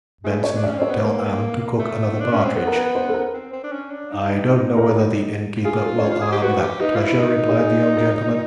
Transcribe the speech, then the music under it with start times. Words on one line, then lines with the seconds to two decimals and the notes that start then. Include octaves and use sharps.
Benson, tell Ann to cook another partridge.' 'I don't know whether the innkeeper will allow me that pleasure,' replied the young gentleman.
0.24 A3 G#4
0.44 C#5
0.55 D4
0.64 C#4 D5
0.78 C4 C#5
0.90 B3
1.01 A#3 B4
1.79 A3
2.21 D4
2.33 C#4
2.44 C4
2.55 B3 A4
2.67 A#4
2.76 B4
2.95 C5
3.09 A4
3.14 A#4
3.34 C4
3.53 C4
3.64 D4
3.72 C#4
3.91 D4
4.11 D#4
4.77 A#4
4.88 A4
5.65 F4 G#4
5.85 A4
5.99 C#5
6.04 C5
6.22 G#4 C5
6.32 G4
6.42 F#4 B4
6.61 G4
6.81 D#4 B4
6.95 F4
7.00 E4
7.20 D#4
7.49 G4
7.58 G#4
7.97 A#4